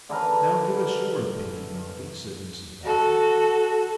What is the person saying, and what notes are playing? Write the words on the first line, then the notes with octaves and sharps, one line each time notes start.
'Now, give us your opinion, Noddy,' said Mrs Boffin.
D3 E3 A#4 B4
F#4 A4